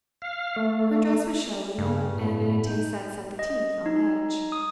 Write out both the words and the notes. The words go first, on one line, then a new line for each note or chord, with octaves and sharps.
Her dress was showy, and in a taste that set the teeth on edge.
F5
A3
G2 C#3
A2 B3
D#4 G6
D#5
D#4
D#6